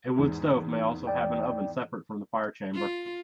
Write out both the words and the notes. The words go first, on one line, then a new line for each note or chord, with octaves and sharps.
A wood stove may also have an oven separate from the fire chamber.
E2 G#2
D5 G5
F4